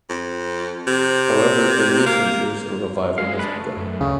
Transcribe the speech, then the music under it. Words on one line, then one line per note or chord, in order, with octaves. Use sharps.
However, in recent years a revival has begun.
F2
C3
A#3
G#3 F5
D4 B4
A3
F#2
D2 C#3